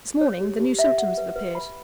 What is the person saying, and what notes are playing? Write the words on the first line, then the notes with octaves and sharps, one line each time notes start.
"This morning the new symptoms have appeared."
C#5
G4
G4
E5
F#5
B4
B4
B5